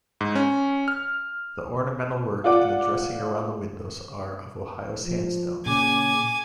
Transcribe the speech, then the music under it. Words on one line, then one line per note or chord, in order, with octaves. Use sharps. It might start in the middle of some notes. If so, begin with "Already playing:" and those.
The ornamental work and the dressing round the windows are of Ohio sandstone.
G#2
C#4
F6
F4 D5 F#5 D6
F3
A#2 C#3 G#5 D6